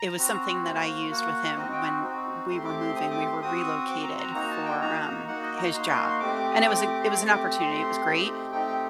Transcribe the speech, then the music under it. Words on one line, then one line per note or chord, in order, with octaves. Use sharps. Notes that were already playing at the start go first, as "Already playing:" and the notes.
it was something that I used with him when we were moving. We were relocated for, um, his job, and it was a it was an opportunity. It was great.
Already playing: A#5
C4 F#4
A#3 F#4 C5
A#3 F#4 F#5
F#5
C4 D#4 F#4 D#5
G5
C4 D#4 F#4
A3 C4 G4 C6
D6
C6
A3 C4 G4 D#6
D6
C6
C4 F#4 D#6
C4 F#4 D6
A#5
A#5
A#3 D#4 F#4 A#5
A5
G5
A#3 D#4 F#4 A#5
A#5
A#3 D#4 F#4 F#5
D#5
A#5
A#3 D#4 F#4 C6
C6
C6
A3 C4 G4 D6
D6
D#6
A3 C4 G4 D6
D6
D6
C6
A3 C4 G4 D6
D6
A3 C4 G4 C6
A3 C4 D#4 G4
A3 C4 D#4 G4 G5
G5